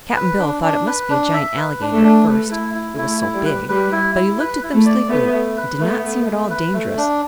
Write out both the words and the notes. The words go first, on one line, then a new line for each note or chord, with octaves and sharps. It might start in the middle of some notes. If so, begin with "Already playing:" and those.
Cap'n Bill thought it must be a giant alligator, at first, it was so big; but he looked at them sleepily and did not seem at all dangerous.
B4
D4
D4
B4
D4
E5
B4
D4
A3
D4
A3 B4
E4
E4
A3 E4
E4
G3
B4
G3 B4
E4
E4
B4
E4
A3
D5
A3 B3
A3
B4
A3 B3
A3
A3
B4
A3
D4